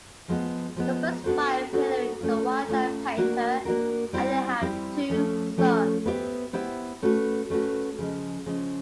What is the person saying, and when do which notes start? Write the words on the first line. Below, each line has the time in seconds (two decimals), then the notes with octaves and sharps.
Soper's wife Hilary is a wildlife painter, and they have two sons.
0.28 F3 G#3 B3
0.76 F3 G#3 B3
1.24 B3 D4 F#4 A4 C5
1.73 B3 D4 F#4 A4 C5
2.21 A3 C#4 F4
2.68 A3 C#4 F4
3.17 A#3 D4 F#4 A#4
3.65 A#3 D4 F#4 A#4
4.13 G3 C4 E4 G4
4.61 G3 C4 E4 G4
5.10 F3 A3 C#4
5.57 F3 A3 C#4
6.06 B3 E4 G4 C5 E5
6.53 B3 E4 G4 C5 E5
7.02 A3 C#4 F#4 B4
7.50 A3 C#4 F#4 B4
7.98 C#3 F3 G#3
8.46 C#3 F3 G#3